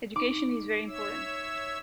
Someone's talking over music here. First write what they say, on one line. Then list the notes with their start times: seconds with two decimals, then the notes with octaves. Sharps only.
Education is very important.
0.16 D#4 D6
0.88 C#5 E5 E6